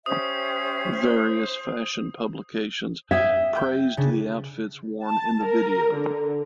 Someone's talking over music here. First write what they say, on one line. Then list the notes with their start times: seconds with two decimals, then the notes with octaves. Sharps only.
Various fashion publications praised the outfits worn in the video.
0.06 C#4 G4 C5 E5 D#6
3.11 E5 G5 D#6 G#6
3.55 G5 G6
3.97 C#3 D4
5.04 A5
5.45 A#4
5.94 D3